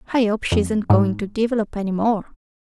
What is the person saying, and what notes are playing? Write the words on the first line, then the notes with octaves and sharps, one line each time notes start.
"I hope she isn't going to develop any more!"
F2
G#2